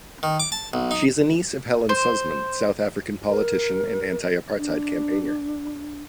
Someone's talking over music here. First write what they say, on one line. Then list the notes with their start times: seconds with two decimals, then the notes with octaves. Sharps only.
She is a niece of Helen Suzman, South African politician and anti-apartheid campaigner.
0.23 D#3
0.40 D6
0.52 A5
0.73 B1
0.91 D#4
1.89 C5
3.30 A#4
4.58 D4